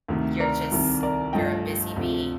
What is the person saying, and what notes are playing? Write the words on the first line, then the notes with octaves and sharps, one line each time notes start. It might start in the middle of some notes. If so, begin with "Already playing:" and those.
you're just you're a busy bee.
D2 C3 D#3 A3
A#4 D5
C2 C3 D#3
A#4 D5
G1 G2 F3 A3 D#5 G5
D2 C3 F3 A3